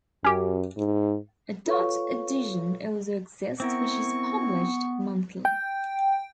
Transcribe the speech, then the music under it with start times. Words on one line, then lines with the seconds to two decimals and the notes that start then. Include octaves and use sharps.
A Dutch edition also exists which is published monthly.
0.24 F#2 C#4 G4
0.77 G#2
1.66 F4 A4 B4 C#5 F5 C#6
3.60 B3 C4 E4 A#4 C#6
5.45 G5